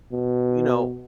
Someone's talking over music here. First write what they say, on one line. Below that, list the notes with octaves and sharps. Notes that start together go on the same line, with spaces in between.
You know,
B2